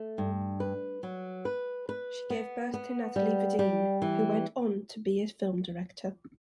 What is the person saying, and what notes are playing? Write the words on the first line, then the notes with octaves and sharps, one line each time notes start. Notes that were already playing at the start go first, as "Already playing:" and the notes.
She gave birth to Nathalie Vadim, who went on to be a film director.
Already playing: A3
G2
B4
F#3
B4
B4
B3
B3
G3
G3
E3